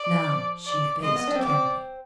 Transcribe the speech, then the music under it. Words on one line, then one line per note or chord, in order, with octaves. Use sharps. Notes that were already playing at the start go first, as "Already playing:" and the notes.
Now she faced Kennedy.
Already playing: D5
F3
D5
G#3 D#5
B3
D4
C4
B3 D5
C4